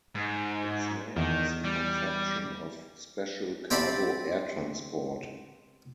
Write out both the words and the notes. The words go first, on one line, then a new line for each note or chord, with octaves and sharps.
Its name is the contraction of Special Cargo Air Transport.
G#2
E2 D#3
G3
C4 G4 A4 D5 A5 B5